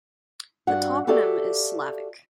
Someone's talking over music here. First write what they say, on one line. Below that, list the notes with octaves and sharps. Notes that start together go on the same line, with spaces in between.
The toponym is Slavic.
G2 D4 F#4 F#5
F#4 G4 A4 D5 E5 F5